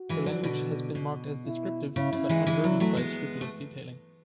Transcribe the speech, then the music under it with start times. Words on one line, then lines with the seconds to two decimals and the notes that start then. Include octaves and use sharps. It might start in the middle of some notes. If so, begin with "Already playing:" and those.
Her language has been marked as descriptive but unburdened by scrupulous detailing.
Already playing: F#4
0.09 E3 G#3
0.26 D3 F#3
0.44 B2 D3
0.95 B2
1.45 E4
1.96 C#3 E4
2.13 C#3
2.29 E3 G#3
2.47 E3 G#3
2.63 D3 F#3
2.80 F#3 A3
2.97 G#3 B3
3.41 A3